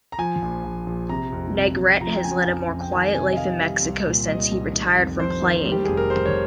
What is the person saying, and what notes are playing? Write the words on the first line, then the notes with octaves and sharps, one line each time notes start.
Negrete has led a more quiet life in Mexico since he retired from playing.
A#5
F3 G#5
A#1
A#1
A#1
C3 A#5
F2
C3
F2
F3 A#5
G5
C#3 G#5
F2
F2
G5
D#3 G#5
C3 G#5
D#5
D#3 F5
G3
C2
A#2
C2 D#5
C2
D#3
F2
F2 C5
D#3
G3
G4
F1 G#4
A#4
G3 C5
C#5